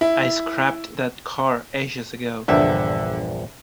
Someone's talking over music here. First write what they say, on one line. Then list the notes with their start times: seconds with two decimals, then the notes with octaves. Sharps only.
I scrapped that car ages ago.
0.01 E4
2.48 A#1 E2 G2 D3 E5